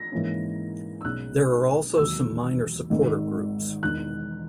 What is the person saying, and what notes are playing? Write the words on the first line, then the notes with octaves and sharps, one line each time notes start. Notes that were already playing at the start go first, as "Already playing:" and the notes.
There are also some minor supporter groups.
Already playing: A#6
G#2 E3 A#3 C#4
E6
B1 B2 G#3 C#4 F#6
E1 D#2 D#3 F#3 E6
G#1 G#2 D#3
E1 E2 D#3 F#6